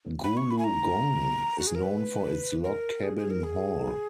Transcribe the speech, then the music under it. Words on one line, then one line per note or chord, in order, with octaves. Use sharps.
Gooloogong is known for its log cabin hall.
B5
C#6
B5
G#5
A#5
F#4
G#4
A#4
B4
A#4
G#4
G#4
A#4
G#4